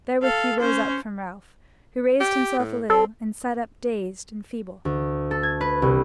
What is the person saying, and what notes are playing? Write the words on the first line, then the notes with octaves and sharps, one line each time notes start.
Therewith he rose up from Ralph, who raised himself a little, and sat up dazed and feeble.
A4 F5
C#4 C5
G4
A2
C4 A4
D2
A4
G#6
B4
C2